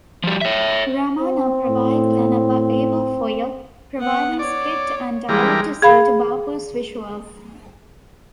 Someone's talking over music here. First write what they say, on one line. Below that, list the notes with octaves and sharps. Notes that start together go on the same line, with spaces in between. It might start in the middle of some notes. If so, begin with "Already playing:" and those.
Ramana provided an able foil, providing script and dialogue to suit Bapu's visuals.
F3 G3
C#5 E5
C4
A2
B3 F#5
C#5 D5
E3 G3 G#3 A#4
G#4 F5 B5